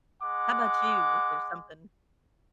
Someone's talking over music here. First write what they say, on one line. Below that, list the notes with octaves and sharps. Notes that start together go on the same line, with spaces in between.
How 'bout you? Is there something
G#3 F#5 D6